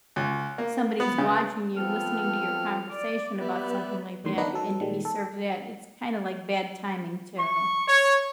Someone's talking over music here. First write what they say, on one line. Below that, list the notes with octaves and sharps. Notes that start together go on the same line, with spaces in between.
somebody's watching you, listening to your conversation about something like that, and to be served that, it's kinda like bad timing too.
C#2
A#3
B3
C#3
F3 B3 C4 A4 F6
D5
B3 G4 B4 D5 E5
E2 A2 D#3 G3 C6
D#3 B3 D4 D#4 B4 D#5
F#3 A4
A#2 D#3 G3 G#3
A4
C#6
C#5